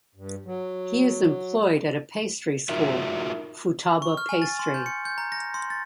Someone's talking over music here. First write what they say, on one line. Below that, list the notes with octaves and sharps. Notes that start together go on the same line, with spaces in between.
He is employed at a pastry school, Futaba Pastry.
G2
F#3
D#4 F4 F#4 A#4 E5
C#6
F6
G#5
A6
C6
G6
C#7
G6
A#5
A#6
C6
A6